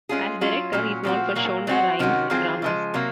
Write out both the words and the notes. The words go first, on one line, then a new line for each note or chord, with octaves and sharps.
As director, he is known for Shonda Rhimes' dramas.
G#3 C#4 F4 G#4
F#3 C#4 F4
A#2 F#3 C#4
A#2 F3 C4 F#4
A#2 F#3 A#3
F#3 C4 F#4
C3 D#3 F#3 C#4 F#4
D#3 F#3 C4 F4 G#4
C#3 F3 G#3
C3 F#3 A#3